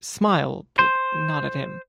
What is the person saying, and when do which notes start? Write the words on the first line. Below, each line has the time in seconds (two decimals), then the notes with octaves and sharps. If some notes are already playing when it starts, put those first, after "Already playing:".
Smile but not at him.
0.79 C5